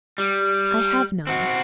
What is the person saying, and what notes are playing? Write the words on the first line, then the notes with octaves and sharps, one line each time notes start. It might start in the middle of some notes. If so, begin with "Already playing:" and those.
"I have none."
G3
C4 F#4